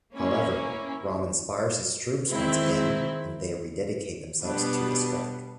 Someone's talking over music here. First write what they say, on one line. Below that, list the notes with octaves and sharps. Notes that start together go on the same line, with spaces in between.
However, Rom inspires his troops once again, and they rededicate themselves to the strike.
A#3 C#4 E4
D#3 G#3 C4 E4
B2 G3 B3 D4